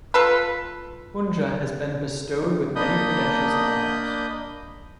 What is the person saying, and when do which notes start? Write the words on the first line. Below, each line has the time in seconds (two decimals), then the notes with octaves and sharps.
Punja has been bestowed with many credentials and honors.
0.14 F4 A4 B4
2.76 A#3 D4 D#5 B5 D#6 G6